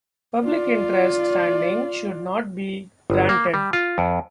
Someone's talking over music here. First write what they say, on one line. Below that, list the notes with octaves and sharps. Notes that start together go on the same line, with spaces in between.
Public interest standing should not be granted.
F4 D5
G1
A#3
G3
F4
F2